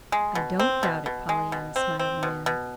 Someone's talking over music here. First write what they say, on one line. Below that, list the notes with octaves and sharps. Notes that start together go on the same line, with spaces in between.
"I don't doubt it, Pollyanna," smiled the man.
G#3
B2
C4
B2
B2
G#3
B2
C4
C4
B2
B2